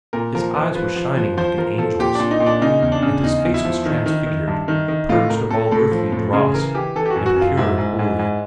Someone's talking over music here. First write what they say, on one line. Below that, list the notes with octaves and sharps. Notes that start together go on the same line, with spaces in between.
His eyes were shining like an angel's, and his face was transfigured, purged of all earthly dross, and pure and holy.
A#2 A#4
F3 A#4
F3 B4
F3 B4
F3
F3
F3 C5
F3 A#4
F3 A4
A#2 G4
A#2 D4
D#4
A#2
D4
C#3 D#4
E2
D4
C#3
E2 D#4
E2
E4
F3
D#3
D#3
D#3
G2
D#3
D#3
A2 F4
A2 A#4
A2 A4
A2 A4
F3
A2
C#3 G#4
E3 A#4
E3 G4
E3 A4
G4
F#4
F#2
F#4
F#2 F4
G#2 E4
G#2
G#2
G#2